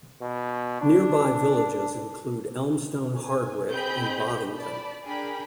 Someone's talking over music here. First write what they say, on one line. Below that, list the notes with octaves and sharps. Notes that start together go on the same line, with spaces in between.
Nearby villages include Elmstone-Hardwicke and Boddington.
B2
D4
G#5
C4 G#4 D#5 B5 G6
D5 A5 B5
D4 G#4 A#4 G5 B5